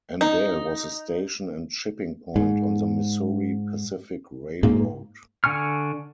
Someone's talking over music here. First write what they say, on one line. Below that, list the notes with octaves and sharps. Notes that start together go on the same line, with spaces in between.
Andale was a station and shipping point on the Missouri Pacific Railroad.
D#4
G#2
G#2 A#3
D3 G#5 C#6 F6